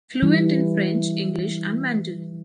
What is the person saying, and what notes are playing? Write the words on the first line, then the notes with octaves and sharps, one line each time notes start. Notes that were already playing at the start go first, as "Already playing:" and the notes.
Fluent in French, English and Mandarin.
E3 G3